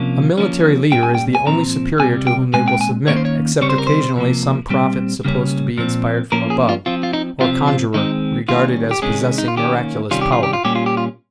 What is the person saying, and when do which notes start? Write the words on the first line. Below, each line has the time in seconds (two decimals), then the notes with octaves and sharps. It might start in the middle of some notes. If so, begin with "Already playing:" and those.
A military leader is the only superior to whom they will submit, except occasionally some prophet supposed to be inspired from above, or conjurer regarded as possessing miraculous power.
Already playing: C3 F3 A#3 C#4
0.38 F3 A#3 C#4
0.91 A#2 G3 A#3 C#4 G5
1.03 G#5
1.15 G5
1.35 G#5
1.46 A#2 F3 C4 A#5
1.99 C3 G3 C4 G#5
2.27 G5
2.54 A#2 G#3 C4 G#5
2.68 G5
2.81 G#5
3.08 D#3 A#3 C#4 C#5
3.17 C5
3.25 C#5
3.61 C#3 G3 C4 C#5
3.70 C5
3.78 A#4
3.87 C5
4.16 C3 F3 A#3
4.69 A#2 G3 C4
5.25 C#3 G3 A#3 C#4
5.78 A#2 F3 C4
6.32 F3 A#3 C#4 A#4
6.50 G#4
6.69 F4
6.86 F3 C4 F4
7.03 F4
7.13 D#4
7.40 C3 F3 C4 F4
7.68 F4
7.94 D#3 G#3 C4 D#4
8.48 D#3 G3 A#3 C#4 F4
8.91 G4
9.02 C3 D#3 G#3 C#4 G#4
9.38 D#4
9.48 F4
9.57 D#3 A#3 C#4 G4
10.11 C3 D#3 G3 C#4 F4
10.21 G4
10.32 F4
10.43 G4
10.53 F4
10.65 A#2 G3 A#3 C#4 G4
10.76 F4
10.86 G4
10.97 F4